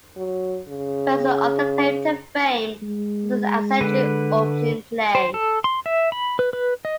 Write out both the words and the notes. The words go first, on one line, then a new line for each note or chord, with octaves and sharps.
Ware's other claim to fame was his eccentric opening play.
F#3
C#3
G#3
D3 B4
C5
A4
C6
E5
B5
B4
B4
D#5